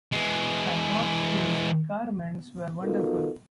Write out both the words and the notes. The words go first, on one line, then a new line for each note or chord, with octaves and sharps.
I thought his garments were wonderful.
E3 G#3
B3 D#4 F4 F#4 A4 A#4